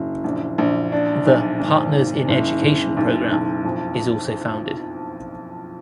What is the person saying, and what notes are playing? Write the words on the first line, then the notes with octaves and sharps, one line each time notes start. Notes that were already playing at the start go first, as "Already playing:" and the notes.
The "Partners in Education" program is also founded.
Already playing: F#1 F#3
A#1
A#1
D4
B1
G#1
G#1
F#1
F#1
B1
B1
F2